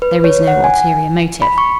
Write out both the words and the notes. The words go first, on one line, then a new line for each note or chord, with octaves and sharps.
There is no ulterior motive.
B4
C#5
F#5
G#5
B5
C#6